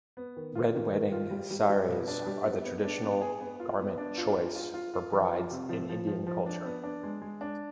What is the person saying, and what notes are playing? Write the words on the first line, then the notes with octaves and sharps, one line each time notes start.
Red wedding saris are the traditional garment choice for brides in Indian culture.
B3
D#3
F4
D#3
D#3
F4
G3
G3
G3
B2
D4
G3
B3
B3
D4
B3
G#4
B3
F4
B3
D4
F4
F4
F4
F4
F4
F3
F4
C3
F3
F3
F3
F3
D4
B3
D4
G#3
G#3
D4